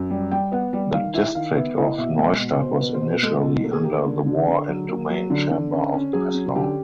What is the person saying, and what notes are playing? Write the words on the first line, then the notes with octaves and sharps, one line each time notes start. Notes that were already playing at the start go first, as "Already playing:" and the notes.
The district of Neustadt was initially under the War and Domain Chamber of Breslau.
Already playing: F#2
G3
G3 G5
B3 F#5
G3
D#3 F5
E4 E5
D#3 F5
B3 E5
E4 D#5
B2 E5
G#3 E5
B2
B2 C5
B2 B4
C5
B2
B4
G#3 A4
B2
A#3 A4
G#4
A#3 G4
G#4
D3
D3
D3
F#3
A#3
F#3
D3
D3
C#4
C#4
F#3 G#4
C#4
D3 G4